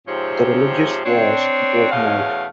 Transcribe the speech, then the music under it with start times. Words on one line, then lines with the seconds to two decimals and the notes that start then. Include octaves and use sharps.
The religious wars drove him out.
0.08 G#2 C3 F3 C4 G4 C#5
1.05 C4 D4 C#5
1.92 E2 B2 A3 C#4 F5